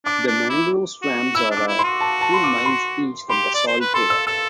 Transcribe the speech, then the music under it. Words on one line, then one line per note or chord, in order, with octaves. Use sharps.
The mangrove swamps are a few miles east at the Salt River.
D4 D6
D4
E4
F#4
E4 E6
D4
D6
E4
C6
F#4
A5
A5
C6
D6
C6
G4 C6
D5
C5
B4
A4 C6
E6
A4 E6